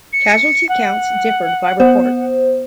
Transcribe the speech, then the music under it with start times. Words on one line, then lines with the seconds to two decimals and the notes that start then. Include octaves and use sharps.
Casualty counts differed by report.
0.13 C#7
0.69 F#5
1.80 B3 C5